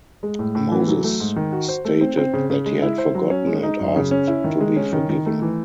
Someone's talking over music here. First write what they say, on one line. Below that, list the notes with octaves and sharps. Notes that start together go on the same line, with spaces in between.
Moses stated that he had forgotten and asked to be forgiven.
G#3
A2
A2
E3
F#3
A3
G#2
D#3
F#4
C5
A3
C4
C4
C#3
C#3
G#3
E4
C5
F#3
C#4
G#3
D#4
F#2
C#3
C#4
E4
D#3
G#3
C#4
D#3
D#3
A3
E3